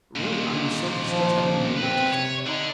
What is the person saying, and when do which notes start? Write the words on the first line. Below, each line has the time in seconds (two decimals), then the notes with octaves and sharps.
Really I was so distressed, I didn't know what to think.
0.16 D#2 A#2
1.03 F3
1.77 F2 C4 B4
2.13 C3 C#5
2.47 D3 D#4